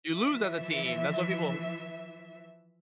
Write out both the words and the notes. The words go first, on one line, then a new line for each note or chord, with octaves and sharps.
You lose as a team, that's why people m
E3 F3 E5